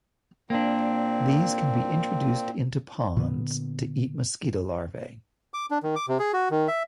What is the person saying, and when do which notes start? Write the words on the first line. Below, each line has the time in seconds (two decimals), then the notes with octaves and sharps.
These can be introduced into ponds to eat mosquito larvae.
0.50 A#2 A#3 C4 D4
3.16 A#2 D3 B3
5.54 D6
5.71 D4
5.83 D#3
5.96 D6
6.08 C3
6.19 G#4
6.33 F#4
6.51 D#3
6.68 E5